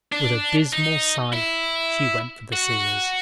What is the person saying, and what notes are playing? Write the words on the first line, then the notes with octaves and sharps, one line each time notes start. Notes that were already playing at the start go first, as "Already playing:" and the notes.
With a dismal sigh she went for the scissors.
D4
D#4
E4
F#4